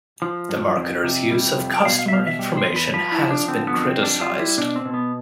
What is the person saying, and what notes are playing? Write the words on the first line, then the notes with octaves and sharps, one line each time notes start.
The marketers' use of customer information has been criticized.
F3
G2
F2
C3
G3
F2
G5
B2 F5
F5
E5
B2 F5
E5
G3
C5
E2
B4
F3 B4
E4
F3
D4
D3 C4
B3
F2
C4
G3 D4
F4
G3
E4
B2 D4
C4
B2
B3